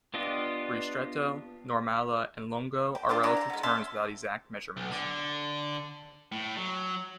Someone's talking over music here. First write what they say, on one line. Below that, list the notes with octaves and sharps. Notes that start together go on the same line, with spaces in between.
Ristretto, normale, and lungo are relative terms without exact measurements.
B3 D4 F4 G4 D#5
G5
D4 F4 G4 C5
D4 E4 A#5
A#5
G#3 B3
C#4 E5 A5 C6
B1
D3
A2
F#3